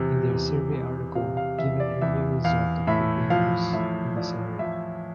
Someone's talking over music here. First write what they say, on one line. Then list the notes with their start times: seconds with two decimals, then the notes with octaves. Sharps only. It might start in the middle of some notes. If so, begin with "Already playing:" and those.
In their survey article, give an earlier result of Frobenius in this area.
Already playing: E2 C3
0.30 E2
0.73 E2
1.15 C3 F5
1.37 F5
1.58 E2 E5
1.80 D5
2.02 E2 E5
2.44 E2 F5
2.87 A2 E5
3.30 F3 F5
3.73 A2 E5
4.17 F3 D5
4.59 F3 E5